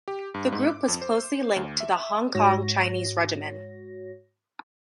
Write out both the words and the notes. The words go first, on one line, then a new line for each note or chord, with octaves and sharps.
The group was closely linked to the Hong Kong Chinese Regiment.
G4
G2
G#2
D6
F2
C5
D2
E5
G#2 F#4 C#5 A#6